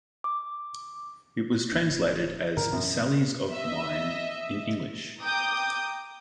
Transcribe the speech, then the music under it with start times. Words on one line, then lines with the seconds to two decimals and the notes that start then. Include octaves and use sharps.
It was translated as "Sallies of Mind" in English.
0.24 D6
1.72 D1 A3 D4
2.57 G2 D3 A#4
2.73 F#2 A#2 E3 D4
3.52 D#5 E5
5.22 G5 A#5 D6 D#6 G6